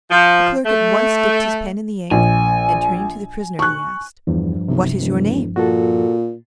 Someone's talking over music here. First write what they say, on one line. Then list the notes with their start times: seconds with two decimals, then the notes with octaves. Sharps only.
The clerk at once dipped his pen in the ink, and turning to the prisoner he asked: "What is your name?"
0.11 F3
0.66 A3
2.11 A#1 G#5
3.59 C#6 F#6
4.27 E2 G2 F3
4.68 B1 C3
5.00 E1
5.56 A#2 F#4 A4